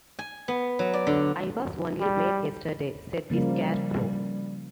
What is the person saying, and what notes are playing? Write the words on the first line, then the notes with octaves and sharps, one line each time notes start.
'I was only made yesterday,' said the Scarecrow.
G#5
B3
F#3
D5
D3
G3
C#3 F3 G3 A#3